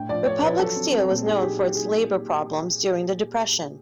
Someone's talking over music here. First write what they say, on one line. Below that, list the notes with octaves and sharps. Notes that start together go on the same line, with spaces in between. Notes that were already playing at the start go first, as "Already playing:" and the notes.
Republic Steel was known for its labor problems during the Depression.
Already playing: A2 D4 G5
F3 D5
A3 C#5
F3 B4
F#3 A4
C4
C4
A#2
D#4 G#4
F#3 G4
F#3 G4
D#4 G#4